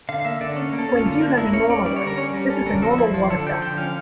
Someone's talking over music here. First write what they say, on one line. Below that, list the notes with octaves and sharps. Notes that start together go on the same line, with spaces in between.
When viewed under normal light, this is a normal water fountain.
D3 F5
A#3 E5
D3 D5
C#4
A#3
A4
C#4
D3 F4
A#3 D4
A#3 E4
C#4 C#5
C#4 D5
G3 D5
C#5
D3
A#4
C#4 C#5
G3
C#4 A4
D3 A#4
F3 A4
F3 E4
F3 F4
D3 A4
F3 G5
D3 G5
C#4 F5